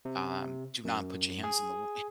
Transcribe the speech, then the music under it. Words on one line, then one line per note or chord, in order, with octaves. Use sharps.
Um, do not put your hands in the wa
C3
F#2
G#4